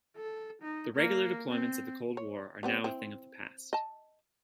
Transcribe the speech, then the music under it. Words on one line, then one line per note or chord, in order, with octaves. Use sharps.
The regular deployments of the Cold War are now a thing of the past.
A4
D#4
A#3
C4
C#5
G3 B3 C4
C4 E4
D#5 A5